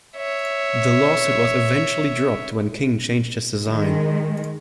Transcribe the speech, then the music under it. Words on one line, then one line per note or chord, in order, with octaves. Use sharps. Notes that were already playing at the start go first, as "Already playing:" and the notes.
The lawsuit was eventually dropped when King changed his design.
C#5 E5
D#3 G#3